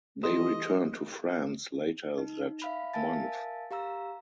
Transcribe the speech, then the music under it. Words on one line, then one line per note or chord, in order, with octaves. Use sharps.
They returned to France later that month.
E3 G3 A4 D#5 C6 D#6 E7
D#4
E5 F5 B5
A#4 E5 F5 G#5 A5 A6
G4 F5 A#5 E6